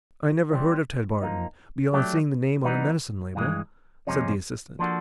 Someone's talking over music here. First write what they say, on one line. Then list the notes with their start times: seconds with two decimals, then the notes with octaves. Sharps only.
"I never heard of Ted Barton, beyond seeing the name on a medicine label," said the assistant.
0.50 E3 G3 C4
1.21 F3 A#3 D#4
1.93 F#3 A3 D4 G4
2.65 E3 G3 B3 D#4
3.35 G2 E3 G#3
4.07 F2 C3 F3 G#3 C#4
4.79 F3 A#3 D4 F#4 A4